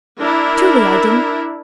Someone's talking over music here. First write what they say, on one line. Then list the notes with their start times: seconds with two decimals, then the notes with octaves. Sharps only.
Truly, I didn't.
0.19 D4 E4 A#4